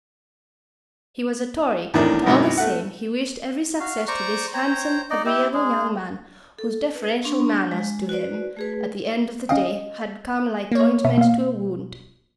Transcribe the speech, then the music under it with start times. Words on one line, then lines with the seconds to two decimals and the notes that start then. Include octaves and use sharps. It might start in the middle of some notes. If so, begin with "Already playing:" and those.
He was a Tory; but all the same he wished every success to this handsome, agreeable young man, whose deferential manners to him at the end of the day had come like ointment to a wound.
1.94 E2 A2 D#3 D4 E4 A#4
2.26 G#1 F#2 B2 D#4 D6
2.58 A3 F#5
3.80 F#4 F5
4.08 C5 D5 A#5 C#6
4.54 C5 C#5 G5 A#5
5.10 D#4 D5 D#5
5.26 E4 G4
5.54 G#3 G#4
6.59 A4
6.95 B4
7.24 D4 C6 C#6
7.71 G#3
8.09 F#4 B4 C5 D5
8.57 A3 G#4 B4
9.49 C#4 D#5 F5 G5
10.71 A#3 C#5
11.05 B2 E5
11.18 A#3 F5